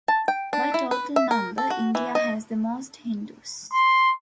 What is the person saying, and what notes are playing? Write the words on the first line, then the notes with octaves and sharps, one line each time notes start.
By total number, India has the most Hindus.
A5
G5
D4
E4
B4
E5
A#4
A4
F#4
E3
D#5
C6